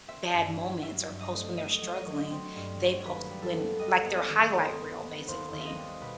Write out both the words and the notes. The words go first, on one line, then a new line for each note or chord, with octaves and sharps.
bad moments or post when they're struggling, they post when like their highlight reel basically.
C4 E5
G2
F#3
G2 E5
G2
D#5
A3
A3 D#5
F#3
D#5
F#3
C4
G2
F#3
D#2 B4
G3
A4
B3
G3 D#5
B3
D#5
D#3
D#3 C5
B3
B3
D#2 C5
D#2
D#5 E5
G3
B2 B4